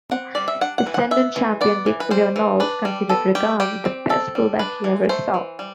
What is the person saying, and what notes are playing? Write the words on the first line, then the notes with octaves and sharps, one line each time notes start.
Essendon champion Dick Reynolds considered Regan the best full-back he ever saw.
C4 F#5
G3 D5
E5
D4 F#5
F#5
E3
F#5
B3 E5
E3
B3 D5
E3
B4
G3 C5
E3
D4 B4
G3
B3 A4
G3 G4
G3 G4
C4
C4 A4
G3
D4 B4
E3
A3 C5
E3
G3